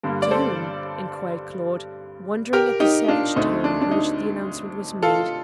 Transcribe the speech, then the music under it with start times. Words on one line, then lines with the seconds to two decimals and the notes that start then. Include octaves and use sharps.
"To whom?" inquired Claude, wondering at the savage tone in which the announcement was made.
0.03 G2 D3 G3 A#3
0.22 D5
0.31 A4 C5
2.53 G4 A#4
2.80 D#4 G4
3.08 D4 F4
3.36 D2 D3 A3 C4 D#4
3.64 D4
3.81 D4
3.91 D#4
5.02 F4 A4